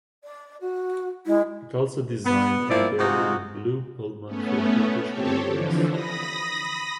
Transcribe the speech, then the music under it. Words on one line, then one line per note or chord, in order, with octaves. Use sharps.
It also designed and built the Blue Pullman for British Railways.
D5
F#4
G#3 E4
B3
F3 A#3 C4 E4 D5
C3 G#3 D#4 F4 F#4
A3 B3 C#4
C4 G4 A4 C#5
D3 E3 F3
B5 D#6 A#6